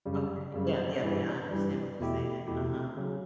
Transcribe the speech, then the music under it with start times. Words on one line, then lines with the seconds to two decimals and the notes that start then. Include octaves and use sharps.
Okay yeah, yeah, yeah, I understand what you're saying, uh-huh.
0.06 F#2 C#3 G3
0.54 F#2 C#3 G3
1.02 G2 E3 G3
1.51 G2 E3 G3
2.00 E2 B2 A3 E4 G4
2.47 E2 B2 A3 E4 G4
2.97 C#3 F#3 C#4